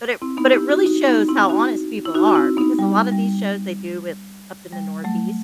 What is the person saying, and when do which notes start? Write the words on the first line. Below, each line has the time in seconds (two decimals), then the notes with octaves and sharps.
But it but it really shows how honest people are because a lot of these shows they do with up in the Northeast
0.22 C4 E4
0.37 B3 D#4
0.53 E4 G4
0.69 D#4 F#4
0.85 D#4 F#4
1.07 B3 D#4
1.28 C4 E4
1.50 D#4 F#4
2.05 E4
2.15 D#4 F#4
2.28 F#4
2.35 C4 E4
2.57 B3 D#4
2.79 G3
3.12 G3
4.72 G3
5.04 F#3 A3